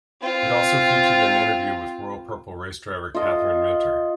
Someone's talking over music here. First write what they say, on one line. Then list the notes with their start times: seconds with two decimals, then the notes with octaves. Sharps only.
It also featured an interview with Royal Purple race driver Kathryn Minter.
0.21 C4 F4
3.15 F4 D#5